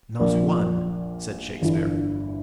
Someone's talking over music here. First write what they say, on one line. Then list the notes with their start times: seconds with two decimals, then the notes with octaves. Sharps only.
"Not one," said Shakespeare.
0.19 A#1 A#2 F3 A#4 D5
1.62 G1 G2 E3